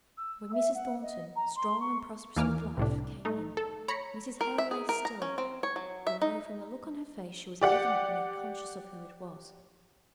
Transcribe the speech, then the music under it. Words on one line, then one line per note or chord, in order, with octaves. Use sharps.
When Mrs. Thornton, strong and prosperous with life, came in, Mrs. Hale lay still, although from the look on her face she was evidently conscious of who it was.
E6
E5
F#5
D#5
A#5
C6
C#6
D#2 E3 A#3 G#5 D6 F6
C2 A2 D4
A3 D#4
A4
C#5 A#5 B5 C#7
A#4
E5
G#4
A#4
A#5
C#4
C4
C#5
F#3
E5
D#4
G4 D5 F#5